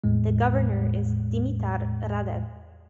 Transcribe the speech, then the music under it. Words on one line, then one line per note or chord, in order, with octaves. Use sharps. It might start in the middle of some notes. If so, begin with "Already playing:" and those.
The governor is Dimitar Radev.
E2 A2 G#3